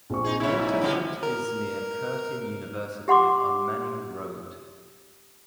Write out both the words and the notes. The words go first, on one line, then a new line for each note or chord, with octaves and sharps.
Waterford is near Curtin University on Manning Road.
A#1 C4 C#6
D#4 G#4
G#2 E4 C#5
C#3 G3 B3
A#4
G4 F#5 C6 D6